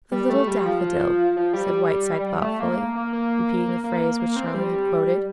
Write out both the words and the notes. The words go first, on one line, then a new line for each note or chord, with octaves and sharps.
"The Little Daffodil!" said Whiteside thoughtfully, repeating the phrase which Tarling had quoted.
G3
A3
G3
F3
F3
G3
A3
A#3
A#3
A#3
A#3
A#3
A#3
A#3
C4
G3